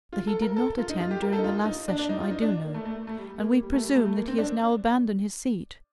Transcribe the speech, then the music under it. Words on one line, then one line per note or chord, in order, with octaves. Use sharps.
That he did not attend during the last Session I do know, and we presume that he has now abandoned his seat.
F4
A4
A#4
A4
F4
D#4
F4
G4
A#4
A4
D#4
F4
D#4
D4
D4
D#4
F4
D#4
D4
A#3
A3
A3
A3
G3
A#3
A#3
G3
A3
G3
A3
A3
A#3
C4
D4